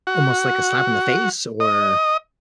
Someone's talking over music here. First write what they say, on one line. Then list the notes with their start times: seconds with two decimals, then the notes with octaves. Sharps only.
almost like a slap in the face or,
0.07 F#4
1.60 D#5